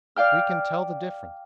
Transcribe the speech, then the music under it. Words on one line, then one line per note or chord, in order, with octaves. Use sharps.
We can tell the difference.
D5 F5 G5 F6